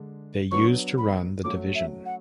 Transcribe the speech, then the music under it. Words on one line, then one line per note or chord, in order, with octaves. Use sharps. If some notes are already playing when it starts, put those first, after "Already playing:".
The used to run the division.
Already playing: D3 G#3 D4
F#3 B3 D4 C#6
B5
F#3 A3 C#4 F#4 D6
E5
F#5